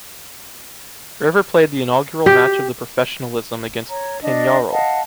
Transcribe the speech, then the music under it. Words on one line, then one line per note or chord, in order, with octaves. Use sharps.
River played the inaugural match of the professionalism, against Peñarol.
G4
C#5 A#5
D4 D#5
D#5 F5 F#5 A5